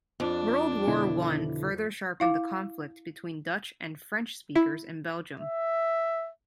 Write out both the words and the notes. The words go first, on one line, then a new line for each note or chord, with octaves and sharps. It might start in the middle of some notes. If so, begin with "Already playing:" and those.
World War One further sharpened the conflict between Dutch and French speakers in Belgium.
F2 D4
B2 D3 E4
E4 F5 D6
E4
E5